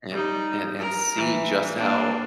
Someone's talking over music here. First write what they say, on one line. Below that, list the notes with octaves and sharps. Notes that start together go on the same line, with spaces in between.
and and and see just how
G3 D#4
A#4
E3
A#3 D4